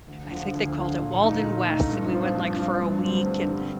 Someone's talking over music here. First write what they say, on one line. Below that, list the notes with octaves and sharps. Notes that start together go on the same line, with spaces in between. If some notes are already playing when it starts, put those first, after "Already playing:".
I think they called it Walden West, and we went, like, for a week and,
D2
D3 F3
D2
D3 F3
A#2
A3 D#4
A#2
A3 D#4
G2
F3 C4 F4
G2
F3 C4 F4
G2
D3 G3 C4
G2
D3 G3 C4